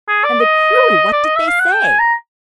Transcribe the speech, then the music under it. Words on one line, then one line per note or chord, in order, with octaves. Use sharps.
"And the crew, what did they say?"
G#4
D5
D#5
D5
D#5
E5
F5
F#5
G5
G#5
A#5